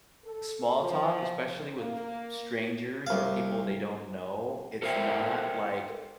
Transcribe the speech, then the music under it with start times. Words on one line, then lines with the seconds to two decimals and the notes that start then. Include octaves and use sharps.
small talk, especially with strangers or people they don't know, it's not like
0.24 A4
0.80 F3
1.78 A#3
3.07 C2 F5
4.82 A4 A#4 C5 D5 E5 G5